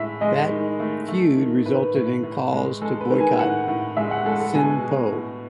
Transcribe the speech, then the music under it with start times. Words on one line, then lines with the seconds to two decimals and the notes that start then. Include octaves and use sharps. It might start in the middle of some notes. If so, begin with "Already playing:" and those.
That feud resulted in calls to boycott "Sin Po".
Already playing: A2 G#3 E5
0.21 G#3 D#5
0.51 D#3
0.80 A3
1.08 A3
1.37 D#3
1.66 A2 B4
1.95 A2
2.23 A2
2.52 G#3
2.82 G#3 A4
3.01 B4
3.11 D#3
3.20 G#5
3.39 A2 F#5
3.68 A2
3.97 G#3 E5
4.11 F#5
4.25 G#3 A4
4.40 A4
4.54 B2 G#5
4.83 B2
5.12 A2